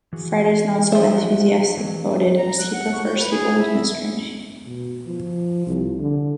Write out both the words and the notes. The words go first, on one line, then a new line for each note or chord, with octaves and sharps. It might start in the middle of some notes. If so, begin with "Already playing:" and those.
Fred is not so enthusiastic about it as he prefers the old Mystery Machine.
E3 F#4 G#4
F3 E5
F#4
E3 F#3 C#4
A#5
F#6
F#5
C#6
G6
B4
G#4
E4
B2
F3
C2
D3